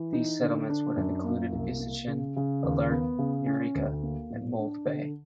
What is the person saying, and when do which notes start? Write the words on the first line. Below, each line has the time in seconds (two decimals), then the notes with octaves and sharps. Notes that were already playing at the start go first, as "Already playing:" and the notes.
These settlements would have included Isachsen, Alert, Eureka, and Mould Bay.
Already playing: E3
0.13 D#4
0.41 D3
0.70 D4
0.96 F#2
1.24 A#3
1.52 C2
1.80 A#3
2.07 C#3
2.36 C#3
2.63 D#2
2.91 B3
3.19 C#3
3.46 C#4
3.75 D2
4.03 A#3
4.30 A2
4.59 D4
4.85 D3